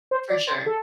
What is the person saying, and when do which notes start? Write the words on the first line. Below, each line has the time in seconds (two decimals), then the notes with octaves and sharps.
For sure.
0.11 C5
0.30 D5
0.47 C5
0.66 A4